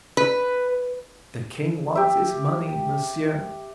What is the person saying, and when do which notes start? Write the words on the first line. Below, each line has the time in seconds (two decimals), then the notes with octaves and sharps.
"The king wants his money, monsieur."
0.17 B4
1.95 G4 E5